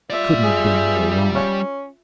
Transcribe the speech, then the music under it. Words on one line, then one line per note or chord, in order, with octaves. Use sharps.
He couldn't have been more wrong.
G3 F4 D5 E5
G#4
C#4